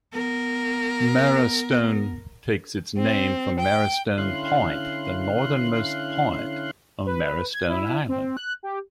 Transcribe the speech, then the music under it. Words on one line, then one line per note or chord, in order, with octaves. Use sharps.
Marrowstone takes its name from Marrowstone Point, the northernmost point on Marrowstone Island.
B3 A#4
C4
G5
D3 C#4 E4 F5 C6 F#6
B4
G#6
E4
C4
F#6
G4